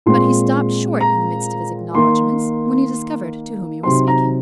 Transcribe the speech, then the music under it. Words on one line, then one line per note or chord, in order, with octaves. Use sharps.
But he stopped short in the midst of his acknowledgments, when he discovered to whom he was speaking.
A#2 G#3 C4 C6
A#5
D#3 A#3 D#4 C6
C3 F#3 C4 D#4 C6
A#5